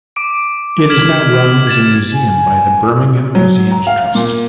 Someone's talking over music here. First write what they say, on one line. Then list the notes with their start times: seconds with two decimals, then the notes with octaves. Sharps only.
It is now run as a museum by the Birmingham Museums Trust.
0.16 D6 D7
0.90 F6 G#6 B6 E7 F#7
1.67 G#6 A6 E7
2.14 G#5
3.35 F#3
3.71 A#5
3.87 F5
4.15 A#2